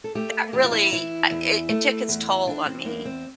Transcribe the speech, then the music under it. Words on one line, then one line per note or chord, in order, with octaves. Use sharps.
that really, uh it it took its toll on me.
A4
A3 G4
E2 G4
F4
E4
E3 E4
E2
A3
E2
E3 D4
C4
E2 A#3
C4